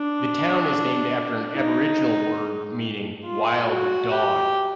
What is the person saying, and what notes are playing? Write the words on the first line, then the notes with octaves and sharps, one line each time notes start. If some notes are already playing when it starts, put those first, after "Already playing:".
The town is named after an Aboriginal word meaning "wild dog".
Already playing: D4
D#4
F4
F#4
G4